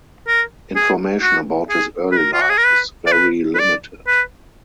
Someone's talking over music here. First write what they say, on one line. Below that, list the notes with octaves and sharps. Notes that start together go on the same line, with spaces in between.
Information about his early life is very limited.
A#4
G#4
F#4
G#4
B4
A#4
F4
F#4
G#4
A#4
B4
D5
B4
B4
D5
B4